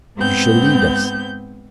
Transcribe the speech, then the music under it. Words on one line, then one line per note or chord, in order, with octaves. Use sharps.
You shall lead us.
G#2 B3 C4 G6